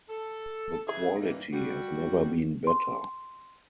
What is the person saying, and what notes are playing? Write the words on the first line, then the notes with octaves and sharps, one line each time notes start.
The quality has never been better.
A4
C#3 E3 G#4 E5
G2 A#2 E3 A#3 D#4
G3 F#4
C6